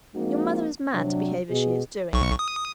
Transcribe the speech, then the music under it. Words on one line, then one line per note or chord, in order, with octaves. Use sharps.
Your mother is mad to behave as she is doing.
F3 G#3 A#3 C4 D#4 F#4
C3 F#3 D4
B2 G#4
B1 C#6
D#6